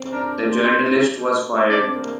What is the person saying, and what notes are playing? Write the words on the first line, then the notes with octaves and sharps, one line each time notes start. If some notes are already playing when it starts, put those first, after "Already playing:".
The journalist was fired.
Already playing: C4
D4 A#4
C5
D4 D5
C4
A#3